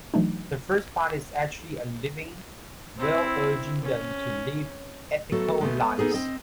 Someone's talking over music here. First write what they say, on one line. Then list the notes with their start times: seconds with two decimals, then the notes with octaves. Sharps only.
The first part is actually a living will urging them to live ethical lives.
0.14 E3 F#3 A3 D4 D#4
2.98 C4 E4
3.82 C#4
5.32 F#3 A3 B3 F#4 A4
5.61 G#3 A3 B3
5.98 B3 D#4 G#4 A4
6.14 C4 D#5